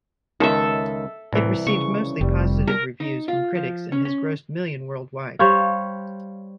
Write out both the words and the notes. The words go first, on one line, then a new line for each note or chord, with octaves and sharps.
It received mostly positive reviews from critics and has grossed million worldwide.
C#2 D#3 A4 E5
C2 A2 E3
C#3 C#6
F1 G3
A#4
D#4
F4
F3
C#4
C#4
G3 C5 C#5 F5